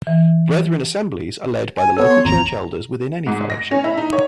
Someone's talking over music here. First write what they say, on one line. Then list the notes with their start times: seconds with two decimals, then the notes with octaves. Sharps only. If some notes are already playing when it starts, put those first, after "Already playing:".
Brethren assemblies are led by the local church elders within any fellowship.
0.07 E3
1.77 G#5
1.97 B3 A4 C#5
2.11 C6
2.25 A1 F2 A#5
3.27 G#2
3.50 A#6
3.71 C#4
3.84 E4
3.97 D#4
4.13 C#5